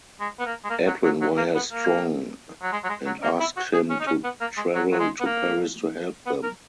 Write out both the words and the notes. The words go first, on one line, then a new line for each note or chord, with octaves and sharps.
Edwin wires Strong and asks him to travel to Paris to help them.
G#3
B3
A#3
G#3
A#3
F#3
F#3
F#3
A#3
B3
A#3
F#3
G#3
F#3
G#3
F#3
A#3
E4
F#4
G#4
C#4
D#4
C#4
B3
A#3
G#3
F#3
F#3
G#3
B3
A#3
B3
A#4